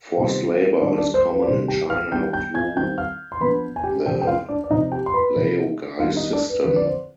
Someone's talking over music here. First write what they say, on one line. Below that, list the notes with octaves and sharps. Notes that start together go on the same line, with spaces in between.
Forced labor is common in China through the laogai system.
C3 D#3 G3 B3 C5
D#3 G3 D4 D5
D4 D5
C5
B4
D5
C3 D#3 G3 C4 C5
G4 G5
F5 F6
D#3 G3 B3 D4 G5 G6
G5 G6
G#5 G#6
D#3 G3 C4 G5 G6
F5 F6
C6
F3 B3 D4 B4 B5
G#5
G4 G5
C3 F3 C4 G4 G5
G5
F4 F5
D4 D5
D5
C3 F3 C4 D#4 D#5
G4 G5
C6
B4 B5
C3 F3 C4
D#3 G3 B3 D4 F4 F5
D#4 D#5
D4 D5
B4
D3 F3 C4 B4
D5
C5